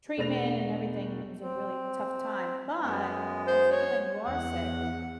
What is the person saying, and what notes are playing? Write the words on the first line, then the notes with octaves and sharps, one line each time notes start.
treatment and everything, it was a really tough time, but I think when you are sick,
E1 A3 D4 B5 A#6 F7
C4
F#2 G#3 B3
C5
C#5
E2 F#5